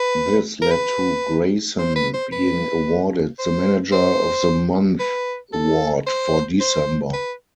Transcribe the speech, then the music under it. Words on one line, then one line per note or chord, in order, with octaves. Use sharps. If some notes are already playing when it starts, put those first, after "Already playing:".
This led to Grayson being awarded the Manager of the Month award for December.
Already playing: B4
A#4
B4
C5
B4
C5
B4
C5
C5
B4
A4
C5
C5
B4